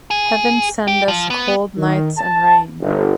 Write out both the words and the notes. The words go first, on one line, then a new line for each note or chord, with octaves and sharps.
Heaven send us cold nights and rain!
G#4
G4
F3
B3
D#3
A5
G1